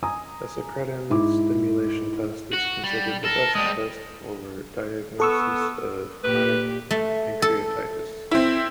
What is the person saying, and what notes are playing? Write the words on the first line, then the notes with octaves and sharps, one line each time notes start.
A secretin stimulation test is considered the best test for diagnosis of chronic pancreatitis.
G#5 A#5 D#6
G#2 E4 D6
F#4
G3
A4 A#4
G3 G#3 D#6
B3 A4 C#6 E6
A#2 G4 B4
A3
A4
C4 E4